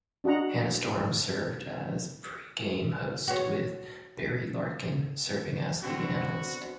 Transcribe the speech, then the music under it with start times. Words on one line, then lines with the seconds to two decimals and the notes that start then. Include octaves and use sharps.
Hannah Storm served as pre-game host with Barry Larkin serving as the analyst.
0.24 D4 F#4 D#5 F#5 A#5
3.28 F#4 C#5
5.83 B2 D3 C4 F#4